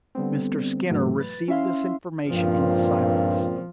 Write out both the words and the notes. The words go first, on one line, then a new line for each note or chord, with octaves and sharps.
Mr. Skinner received this information in silence.
D3 G3 B3 C4
G#2 B2 E3 F#3 A3
B4 A6
C#4 E4 E5 F5 C6
C#2 G2 A#2 F3 C4